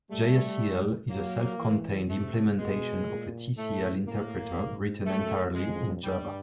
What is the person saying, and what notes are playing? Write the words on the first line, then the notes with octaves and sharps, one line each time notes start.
Jacl is a self-contained implementation of a Tcl interpreter, written entirely in Java.
G3 A3
F#3 A#3
E3
C3 A3
B2 G#3
A#2
A2 A3
A2 A#3
G#2
F#2 A3
F2 G#3
G2 G3